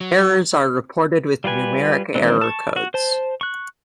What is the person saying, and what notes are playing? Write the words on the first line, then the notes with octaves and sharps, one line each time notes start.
Errors are reported with numeric error codes.
F#3
G3 F4 G4 B4 G#5
D#3 E3 G#3 C4 D4
A5 C#6
F#4
C5 A5
C#6 F#6